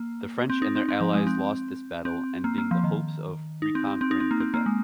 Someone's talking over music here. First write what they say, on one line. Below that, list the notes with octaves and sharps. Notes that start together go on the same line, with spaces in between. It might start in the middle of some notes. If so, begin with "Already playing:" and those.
The French and their allies lost this battle, ending the hopes of reconquering Quebec.
Already playing: A#3
C4
D#4
C4
C4
F3
G#3
C4
C4
A#3
A#3
F3
D#3
D#4
C4
C4
C4
D#4
C4
A#3
C4
A#3
G#3